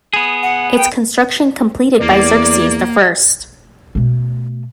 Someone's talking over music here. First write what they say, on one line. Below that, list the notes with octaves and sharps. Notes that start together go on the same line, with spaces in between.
Its construction completed by Xerxes the First.
B3 G#4
F#5
G5
E2 A#3 D5
B2 A3